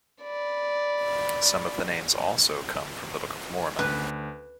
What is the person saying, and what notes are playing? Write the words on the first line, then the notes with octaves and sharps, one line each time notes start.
Some of the names also come from the Book of Mormon.
D5 B5
D2 B4